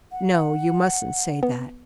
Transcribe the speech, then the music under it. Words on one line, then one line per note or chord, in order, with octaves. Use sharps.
No; you mustn't say that.
F#5
B3